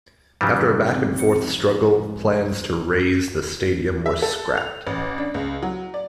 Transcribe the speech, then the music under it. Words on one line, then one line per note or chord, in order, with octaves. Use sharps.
After a back and forth struggle, plans to raze the stadium were scrapped.
F1 G#2 C#3 F#3 G3 D#4 B4
C4
C#7
G#2 G#3
E5
A4
F7
A1
D4
C#2
F#3
D5